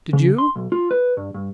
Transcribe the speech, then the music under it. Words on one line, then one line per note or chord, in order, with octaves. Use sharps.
Did you?
C#3
C6
B1
F4
B4
G2
G2